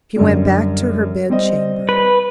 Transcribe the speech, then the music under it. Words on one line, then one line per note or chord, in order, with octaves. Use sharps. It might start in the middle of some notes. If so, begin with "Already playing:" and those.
She went back to her bed-chamber.
F#2 D3 G3
G3 C4 D#5
B4